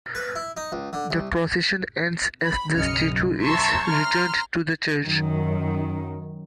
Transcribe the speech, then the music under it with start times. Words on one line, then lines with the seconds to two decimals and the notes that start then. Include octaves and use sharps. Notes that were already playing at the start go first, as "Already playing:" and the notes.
The procession ends as the statue is returned to the church.
0.15 B4
0.36 E4
0.57 D#4
0.72 C#2
0.93 D3
1.11 C2
2.44 B5
2.74 B1 F#2 C#3 D#5 F6 C#7
3.07 F#2
3.42 E5 A5 A#5 C6 C#6 E6
3.85 A#5 C6 F6
5.02 F#2 D#3